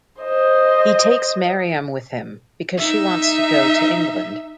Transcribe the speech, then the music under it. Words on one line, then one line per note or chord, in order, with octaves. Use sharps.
He takes Maryam with him, because she wants to go to England.
C5 D#5
D#4 E5